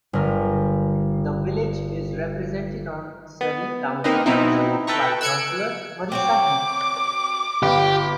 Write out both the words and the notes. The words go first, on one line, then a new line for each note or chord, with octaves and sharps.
The village is represented on Surrey County Council by Councillor Marisa Heath.
G1 A#4
B3
A#3 C4 D#4 A#4 B4 D#5
B2 B3 C4 D#4 E4
A4 B4 G5 A#5 C#6
E6 F#6 G#6 C#7 D7
C4 F#4 C#5 D6
G1 G4